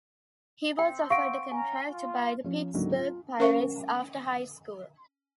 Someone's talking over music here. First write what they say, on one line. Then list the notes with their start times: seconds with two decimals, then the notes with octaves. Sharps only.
He was offered a contract by the Pittsburgh Pirates after high school.
0.79 C4 G5
1.10 F5 F#5 C#6 D7
1.52 C#4 G#5 A#5
1.90 F4
2.44 F3 C#4
2.74 C#2 G#2 D3 F#3 A#3
2.96 F4
3.39 C#4 A#4 C5 F5 C#6